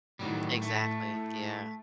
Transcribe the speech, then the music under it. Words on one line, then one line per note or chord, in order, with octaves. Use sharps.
Exactly, yeah.
A2 D#3 F#3 G3
A3